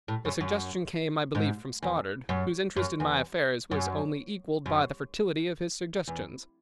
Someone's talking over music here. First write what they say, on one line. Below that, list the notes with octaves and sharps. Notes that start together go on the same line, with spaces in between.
The suggestion came, I believe, from Stoddard, whose interest in my affairs was only equaled by the fertility of his suggestions.
A2
F#2
F#2
G#2
E2
F#2
F#2
E2
F#2
F#2
E2